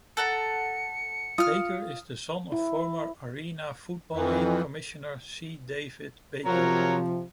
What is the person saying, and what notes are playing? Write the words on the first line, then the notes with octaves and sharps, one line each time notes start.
Baker is the son of former Arena Football League commissioner C. David Baker.
A4 F#5 A#5 C#7
F4 D#6 F6
E4
F2 E3
C3 F3 F#3 A#4 C#5